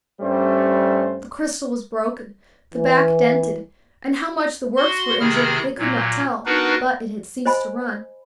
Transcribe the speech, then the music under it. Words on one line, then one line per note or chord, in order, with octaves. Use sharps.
The crystal was broken, the back dented, and how much the works were injured they could not tell; but it had ceased to run.
G2 G3 A3 C#4 C5
E3
F#4 C6
C3 D#3 E4 G#4 F6
A#2 F#3
B3 D4 D#4 F#4 A#4 B4
C5 D#5 G#5 B5